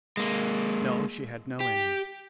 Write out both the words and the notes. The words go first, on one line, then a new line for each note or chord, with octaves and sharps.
No, she had no enemies.
G#3 A#3
G4